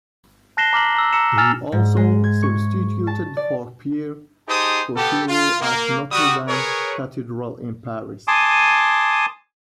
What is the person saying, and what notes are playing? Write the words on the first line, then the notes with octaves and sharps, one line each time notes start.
He also substituted for Pierre Cochereau at Notre Dame Cathedral in Paris.
A5 F#6 A#6 C7 E7 G7
A#5 D6 F6 B6 F#7
A#5 E6
A#5 E6 C#7 E7
G#5 E6 F6 A6 F7
G#2
G#3
G#6
C#6
A5
D5
D#4 G4 G#4 C5 A5 D#6
B3 G4 A4
F4
A#3
G3 F#4 D#6
G#4 A#4 B4 C#5
G#5 A5 C6 D6 D#6